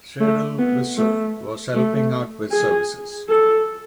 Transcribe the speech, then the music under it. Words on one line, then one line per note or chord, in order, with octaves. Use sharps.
Sarel Visser was helping out with services.
A3
B3
A3
A3
G#4
A4